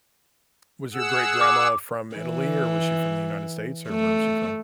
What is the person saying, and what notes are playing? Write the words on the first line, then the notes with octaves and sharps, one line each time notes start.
was your great grandma from Italy or was she from the United States or where was she from?
G#4 F#5 E6
D6
E3
A3